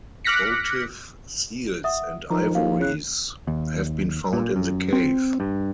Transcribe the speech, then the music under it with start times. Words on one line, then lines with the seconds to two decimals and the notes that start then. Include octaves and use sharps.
Votive seals and ivories have been found in the cave.
0.25 D6 F6 F#6 A#6 B6 C#7
1.84 E5 F#5 D#6
2.30 D#3 F3 A#5
2.55 D#2 C5 F5
2.80 C#3 E4 F#6
3.47 D#2
4.33 A#2
4.56 F#2
4.93 C4
5.40 G2